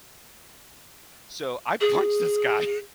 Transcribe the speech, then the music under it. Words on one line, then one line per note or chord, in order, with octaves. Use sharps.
So, I punched this guy,
G#4